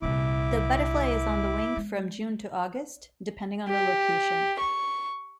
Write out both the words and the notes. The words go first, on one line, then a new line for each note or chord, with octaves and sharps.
The butterfly is on the wing from June to August, depending on the location.
C2 A#2 E4 D6
G#3
G4
C#6